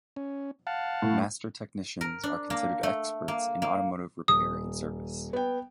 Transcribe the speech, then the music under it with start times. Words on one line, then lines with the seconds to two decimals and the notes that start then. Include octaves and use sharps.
Master Technicians are considered experts in automotive repair and service.
0.16 C#4
0.67 F5 F#5 A5
1.02 A2
2.01 A#4
2.23 D4
2.50 A#3
2.83 A3
3.28 A#3
3.62 A#3
4.28 D#1 D#6
5.33 B3 G5